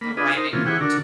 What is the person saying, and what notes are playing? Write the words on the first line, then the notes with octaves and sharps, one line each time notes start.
the rhyming word, too?
A#3 B5
D4 F4 G#4 B4 D#5
D#4 A#4 C5
C3 E3 F3 A#3 C#4 F4
E3 E4 G#4 F#5 G5 C#6
D3 D4 F#4 A#4